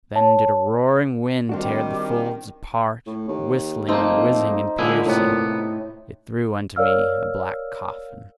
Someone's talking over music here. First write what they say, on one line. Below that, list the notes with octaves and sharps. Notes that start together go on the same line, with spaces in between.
Then did a roaring wind tear the folds apart: whistling, whizzing, and piercing, it threw unto me a black coffin.
C#5 A5
D#3 G3 C4 D4 F#4
A2
D#2
F1 A3 A#3 D#4 C5
A#2 D3 G#3 E4
A2 C3 B3
A#4 C#5 D5 F5 E6 F6